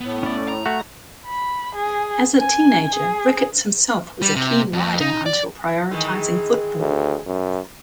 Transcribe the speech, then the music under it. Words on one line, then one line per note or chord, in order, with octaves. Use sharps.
As a teenager, Ricketts himself was a keen rider until prioritising football.
A2 B3
C#4 D5
A#5
A3 F#4 F#5
B5
G#4
G#5
G#4
G3
C3
F2
D#4
D5
D#3 E3 G#3
D2
F#2